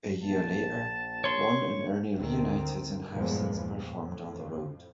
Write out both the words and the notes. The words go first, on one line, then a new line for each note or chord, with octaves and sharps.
A year later, Ron and Ernie reunited and have since performed on the road.
A#1 A5
C#5 C6
D2 D#3 C4
E2 G2 A#2 F3 G3 G#3
F2 A2